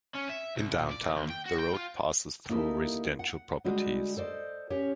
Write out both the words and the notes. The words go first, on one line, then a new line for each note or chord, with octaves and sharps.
In downtown the road passes through residential properties.
C#4
E5
C2
A#2
D5
D2
D#2
G5
F#4
G5
F4
A#3 D#4 E4 G4 A4
F#5
D3 G3 G#3 F#4
A4 C5 D5 D#5
C#4 G4 C#5